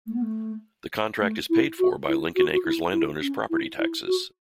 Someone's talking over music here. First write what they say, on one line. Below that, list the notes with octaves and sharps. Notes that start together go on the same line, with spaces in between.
The contract is paid for by Lincoln Acres landowners' property taxes.
A3
B3
A3
A3
E4
F#4
E4
F#4
F#4
E4
E4
C#4
E4
E4
F#4